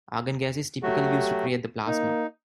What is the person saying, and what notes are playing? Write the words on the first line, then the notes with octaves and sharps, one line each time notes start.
Argon gas is typically used to create the plasma.
F#3 A3 F#4 G4
A#3 D#4